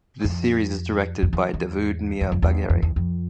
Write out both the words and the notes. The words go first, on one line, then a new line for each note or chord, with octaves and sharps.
The series is directed by Davood Mir Bagheri.
F2
F2
E2
E2
E2
F2
E2
F2
E2
F2